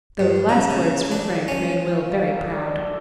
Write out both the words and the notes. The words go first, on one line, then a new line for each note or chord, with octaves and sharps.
Those last words from Frank made Will very proud.
G2
C#3
C#3
D4
C#4
F5
F#3
A4
D5
D3
A3
A4